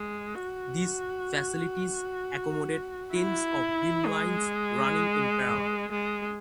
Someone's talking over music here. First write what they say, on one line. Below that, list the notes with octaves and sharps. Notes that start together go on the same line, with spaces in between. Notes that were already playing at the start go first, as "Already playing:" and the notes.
These facilities accommodate tens of beamlines running in parallel.
Already playing: G#3
F#4
E4
G#3
G#3